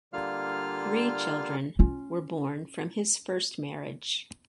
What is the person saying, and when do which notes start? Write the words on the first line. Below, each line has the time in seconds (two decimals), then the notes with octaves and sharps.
Three children were born from his first marriage.
0.13 D3 G3 A#3 F4 F5 F6
1.79 C#4 F4